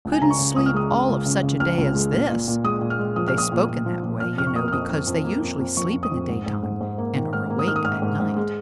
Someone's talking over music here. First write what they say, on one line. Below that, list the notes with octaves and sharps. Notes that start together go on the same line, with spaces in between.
"Couldn't sleep all of such a day as this." They spoke in that way, you know, because they usually sleep in the daytime and are awake at night.
C#2
G#5
C#3 A#5
C#6
C#3
C#2 D#6
F6
G#3 D#6
C#3
C#2
C#3
C#3
C#2 F6
C#2
G#3
A#2
A#2
A#2
G#3 D#6
A#2
F6
G#3
F3 D#6
F6
A#2 D#6
A#2
A#2
F3
A#2
F3 F6
F2 F6
C#6
A#3 D#6
F6
F2 D#6
F2
F2
A#3
F2
F2
F3 C#6
F2
D#6
F2
G#2
G#2
G#2
G#2
A#3
D#3
G#2 F6
A#3
D#6
D#3 F6
D#6
G#2 F6
G#2
G#2
G#3